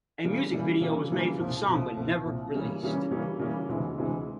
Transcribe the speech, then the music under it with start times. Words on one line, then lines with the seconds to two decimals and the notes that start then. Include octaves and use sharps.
A music video was made for the song, but never released.
0.24 C#3 E3 G3 A#3
0.52 C#3 E3 G3 A#3
0.81 C#3 E3 G3 A#3
1.11 C#3 E3 G3 A#3
1.39 C2 A#2 F3
1.68 C2 A#2 F3
1.97 C2 A#2 F3
2.25 C2 A#2 F3
2.54 C#3 E3 G3 A#3 C#4
2.83 C#3 E3 G3 A#3 C#4
3.11 C#3 E3 G3 A#3 C#4
3.39 C#3 E3 G3 A#3 C#4
3.69 D2 C3 E3 G#3
3.98 D2 C3 E3 G#3